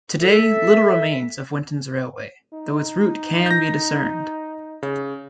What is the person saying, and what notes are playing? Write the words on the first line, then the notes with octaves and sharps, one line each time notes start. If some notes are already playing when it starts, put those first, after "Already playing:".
Today, little remains of Winton's railway, though its route can be discerned.
A4 E5
D#4
G6 A#6
C#3